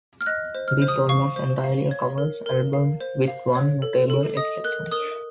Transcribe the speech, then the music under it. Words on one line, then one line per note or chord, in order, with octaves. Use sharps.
It is almost entirely a covers album, with one notable exception.
F6
D#5 F#6
C5
F6
C5
D#6
F5 C#6
C5
F5
C#5
A#4
A#4
F5
C5
F5
C#5
A4
A4
D#5 D#6
A#4 F#6
A#4 D#6